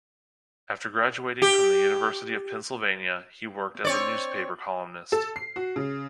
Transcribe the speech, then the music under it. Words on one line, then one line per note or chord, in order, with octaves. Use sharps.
After graduating from the University of Pennsylvania he worked as a newspaper columnist.
G4
C4 C#5 D5
A4
C7
F#4
C#3